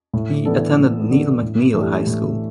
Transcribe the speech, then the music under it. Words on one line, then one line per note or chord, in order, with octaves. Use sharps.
He attended Neil McNeil High School.
A2
E3 B3 D4 A4
A2
E3 B3 D4 A4
A2
E3 A3 D4 G4
A2